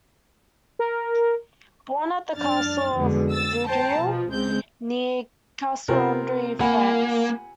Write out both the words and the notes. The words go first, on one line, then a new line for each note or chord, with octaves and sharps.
Born at the Castle of Vaudreuil, near Castelnaudary, France.
A#4
F#2 D4 F6 A6
F2 B2 D3 G#3
E6 A6
C5 G5 A5 A#5
B2 F3
C#2 G#3 C4 G6
C3 C4 F4 A#4 C5
A#3 F#5 G#5 B5